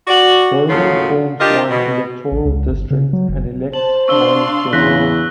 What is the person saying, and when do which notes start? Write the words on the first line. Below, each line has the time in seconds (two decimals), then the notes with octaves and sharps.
Grouville forms one electoral district and elects one Deputy.
0.07 F#4 D5
0.69 D#2 A2 C#3 F#3 F4
1.39 D4 F4 G4 A#4 D#5
1.69 B2
2.32 A1
2.45 C#2
2.69 G1
2.90 C#3
3.13 F#3
3.29 F#1
3.73 C5 A5 F#7
4.08 D4 F5 C6 C#6 E6 G7
4.73 E2 C#3 F#6 A#6 B6